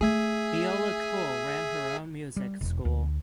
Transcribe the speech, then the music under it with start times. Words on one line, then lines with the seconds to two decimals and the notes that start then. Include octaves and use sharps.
Viola Cole ran her own music school.
0.01 A3 G#4 E5 G#5
2.36 G3
2.61 E1
2.85 D2